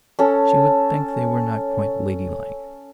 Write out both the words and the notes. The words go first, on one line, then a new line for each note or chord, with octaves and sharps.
She would think they were not quite ladylike.
C#4 A4